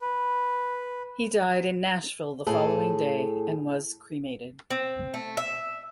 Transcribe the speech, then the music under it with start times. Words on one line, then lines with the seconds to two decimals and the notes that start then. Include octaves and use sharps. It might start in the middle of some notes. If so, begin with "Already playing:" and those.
He died in Nashville the following day and was cremated.
0.01 B4
2.47 A2 G#4 A4
4.70 C4
5.14 A3
5.37 E5